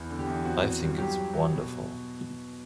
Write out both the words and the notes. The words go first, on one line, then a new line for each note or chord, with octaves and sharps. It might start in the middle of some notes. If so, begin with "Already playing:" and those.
I think it's wonderful.
Already playing: E2
D3
G4
E2
C4 F#4
C4
G2
F#3 G4
F#3
F#3
B2